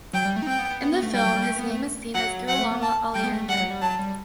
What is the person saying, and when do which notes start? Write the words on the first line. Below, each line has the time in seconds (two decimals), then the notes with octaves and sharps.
In the film, his name is seen as Girolamo Aleander.
0.13 F#3 G5
0.25 G3
0.36 A3
0.42 D#4
0.47 C4 G5
0.59 B3
0.70 B3
0.81 B3
0.92 B3
1.03 A3
1.14 G3 G5
1.25 F#3
1.36 G3
1.48 A3
1.59 B3
1.71 A3
2.14 F#3 F#5
2.48 F#3 F#5
2.59 A3
2.71 B3
2.82 A5
3.14 G3 G5
3.24 B3
3.32 A3
3.48 G3 F#5
3.60 F#3
3.70 G3
3.82 F#3 A5
3.99 G3